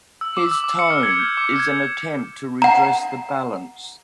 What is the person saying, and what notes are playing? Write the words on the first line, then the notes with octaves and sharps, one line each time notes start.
His tome is an attempt to redress the balance.
E6
D6
E6
D6
C#7
F6
G#6
G6
D6
G#6
F#5 A#5